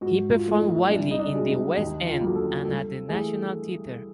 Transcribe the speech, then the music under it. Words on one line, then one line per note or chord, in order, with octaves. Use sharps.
He performed widely in the West End and at the National Theatre.
G#2 F#4
F4
F3 A3
D#4
C2 D4
D#4
D4
B2 G#3
D#4
D#2 D#4
F4
D3 F#3 A#3
A4
G2 A4
E3 A3 G#4